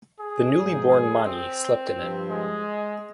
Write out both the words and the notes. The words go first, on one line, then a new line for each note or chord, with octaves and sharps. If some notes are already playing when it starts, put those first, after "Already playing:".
The newly born Mani slept in it.
G#4
G#2 F3
G#4
C4
G2 F3
G#3